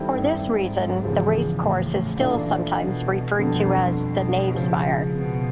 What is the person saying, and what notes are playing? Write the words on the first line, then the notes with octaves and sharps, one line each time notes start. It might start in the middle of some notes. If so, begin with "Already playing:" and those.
For this reason, the racecourse is still sometimes referred to as "The Knavesmire".
Already playing: D#3 G3 C4 E4 A4
G2
G#2
E2 C#3 F3 G#3
A2
A2
A#2 E3 A3 D4 F4
B2
F2 B2 D3 G3
B2
C#3 F3 G#3
B2